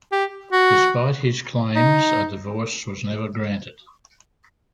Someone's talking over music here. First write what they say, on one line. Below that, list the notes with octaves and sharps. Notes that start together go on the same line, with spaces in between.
Despite his claims, a divorce was never granted.
G4
F#4
D#4